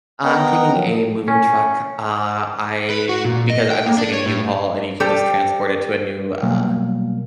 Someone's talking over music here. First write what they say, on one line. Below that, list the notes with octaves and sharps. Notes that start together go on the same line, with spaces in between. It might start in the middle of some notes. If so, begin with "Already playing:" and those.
I'm taking a moving truck. Uh, I because I'm just taking a U-Haul, and you can just transport it to a new, uh
B3 A#4 D#5 F#5 G5 A#5
F3 F#3
C#4
B4
F#4
A#2
D#5
G5
A#3
D4
C#5
A2
G3 G4 A4 C5 G5
B2 F#3 G3 A#3